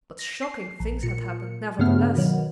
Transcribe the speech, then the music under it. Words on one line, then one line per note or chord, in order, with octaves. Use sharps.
But shocking things had happened, nevertheless!
A#6
C7
A#1
A#2 C#7
G2 C#3 A3 B3 F6
B2 D#3 F#3